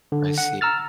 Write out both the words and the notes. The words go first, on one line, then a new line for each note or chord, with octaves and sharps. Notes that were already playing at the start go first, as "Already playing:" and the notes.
I see
D3
F#5
A#5 E6 F6 A6